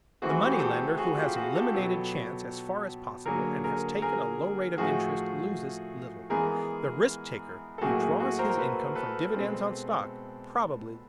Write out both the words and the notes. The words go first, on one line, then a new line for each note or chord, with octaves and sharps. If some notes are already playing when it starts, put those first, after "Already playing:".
The money-lender who has eliminated chance as far as possible and has taken a low rate of interest loses little; the risk-taker who draws his income from dividends on stock probably loses much.
E3 A3 C4 F#4 G#4
F#4
G4
G#4
G4 A4
F#4 G#4
F4 G4
F#4 G#4
G4 A4
B2 F#3 B3
D3 F#3 A#3 G#4 A#4
G#4 A#4
G#4 A#4
A2 F3 A3 F#4 G#4
E3 G#3 B3 G#4 A#4
A4
A2 F#3 A#3 F#4 G#4
F#4 G#4
F#4 G#4
A#4 C5
A#4
A4 B4
A4 B4
B2 G#3 C4